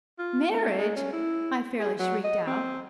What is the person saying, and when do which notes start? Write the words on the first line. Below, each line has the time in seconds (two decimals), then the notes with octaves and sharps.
"Marriage!" I fairly shrieked out.
0.18 F4
0.50 A3
0.78 G#3
0.96 C#4
1.13 E4
1.79 G#4
1.99 F#3
2.24 D#5
2.47 C4